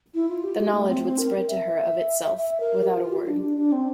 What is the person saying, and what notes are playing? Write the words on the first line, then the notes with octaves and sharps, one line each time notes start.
The knowledge would spread to her of itself, without a word.
E4
F4
G4
G4
A3
C4
C4
A#4
E5
E5
A#4
G4
F4
G4
D4
D4
D4
C4